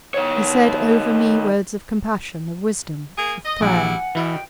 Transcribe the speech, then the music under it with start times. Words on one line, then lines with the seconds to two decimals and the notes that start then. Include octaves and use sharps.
He said over me words of compassion, of wisdom, of prayer.
0.14 D#3 C#5
3.16 A#3 G#4
3.44 D#5
3.61 A#1 F#3 G3 E4 G#4 F#5 G#5
4.15 E2 B2 E3 E4
4.31 G5